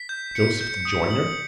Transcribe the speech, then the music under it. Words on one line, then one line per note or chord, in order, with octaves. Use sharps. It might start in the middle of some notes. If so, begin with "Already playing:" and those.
Joseph the Joiner?
Already playing: B6
G6
C#7
G6
D#6
F#7